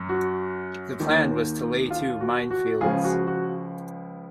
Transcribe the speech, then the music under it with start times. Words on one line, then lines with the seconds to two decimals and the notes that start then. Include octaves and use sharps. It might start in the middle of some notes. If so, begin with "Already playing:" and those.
The plan was to lay two minefields.
Already playing: F#2
0.09 F#4
1.00 D#2 D#3
1.90 F4
2.21 F#4
2.51 F#4
2.81 C#2 C#3 F3 F4 G#4
3.04 F#4
3.27 F#4